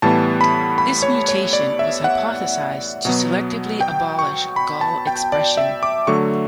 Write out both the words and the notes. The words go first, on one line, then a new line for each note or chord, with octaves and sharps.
This mutation was hypothesized to selectively abolish Gal expression.
A2 E3 G3 B3 A5
B5
B5
C#5
C#5
D5
E5
F#5
B2 F#3 B3
G5
C#6
B5
A5
G5
D5
E5
D6
D3 F#3 A3 C#6